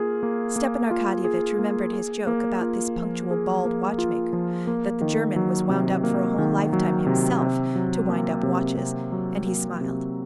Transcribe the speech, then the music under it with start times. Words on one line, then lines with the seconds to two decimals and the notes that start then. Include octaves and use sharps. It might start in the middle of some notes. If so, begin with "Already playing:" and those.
Stepan Arkadyevitch remembered his joke about this punctual, bald watchmaker, "that the German was wound up for a whole lifetime himself, to wind up watches," and he smiled.
Already playing: A#3 F4 G#4
0.23 A#3
0.56 A#3
0.91 F4
1.24 G#4
1.59 A#3
1.93 G#4
2.27 A#3
2.61 F4
2.96 F3
3.31 G#4
3.65 A#3
3.98 F4
4.33 F3
4.67 A#3
5.01 D#3
5.36 F#3
5.69 C3
6.04 A#3
6.38 D#3
6.73 F#3
7.07 C3
7.41 C3
7.76 F#3
8.09 A#3
8.43 C3
8.77 C3
9.12 F#3
9.46 A#3
9.81 C3